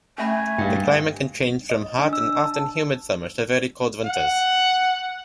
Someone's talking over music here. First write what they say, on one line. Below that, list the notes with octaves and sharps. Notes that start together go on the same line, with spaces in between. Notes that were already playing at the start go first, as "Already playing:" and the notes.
The climate can range from hot and often humid summers to very cold winters.
A3 C#4 E5 G#5 B5
G2 F5 G5
D#5
D4
E6
A5
F#5